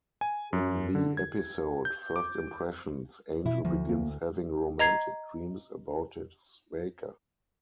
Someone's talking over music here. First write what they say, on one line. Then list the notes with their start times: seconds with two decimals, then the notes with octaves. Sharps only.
In the episode "First Impressions", Angel begins having romantic dreams about his maker.
0.21 G#5
0.53 F#2
0.95 D3
1.17 G#6
1.85 G6
2.16 D6
3.46 B2 E4
3.65 D2 F3
3.89 A#3
4.79 D#5 A#5 G#6 C7